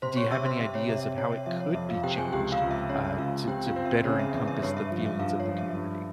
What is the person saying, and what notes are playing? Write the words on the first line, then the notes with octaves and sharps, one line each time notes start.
do you have any ideas of how it could be changed, uh, to to better encompass the feelings of the community?
C3 C5 C6
C#5 C#6
C3 E5 E6
C5 C6
C3 E5
C#5
C3 E5
E5
C3 C#5
E5
F3 E5
C#5
F2 E5
F4 F5
C3 G4 G5
G#4 G#5
C#2 G4 G5
F4 F5
C#2
E5
C#3 C#5
E5
C#2 F4 F5
C4 G4 G5
F4 F5
C4
E5
C#3 C#5
E5
E2 E5
E5
G2 C#5
E5
F3
E5
G2 F4 F5
C#5
F3
E5
G2